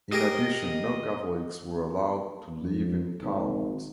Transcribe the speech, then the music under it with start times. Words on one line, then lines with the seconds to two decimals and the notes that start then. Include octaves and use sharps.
In addition, no Catholics were allowed to live in towns.
0.12 G4 G#4 A#4 D#5
2.62 F2
3.22 G#1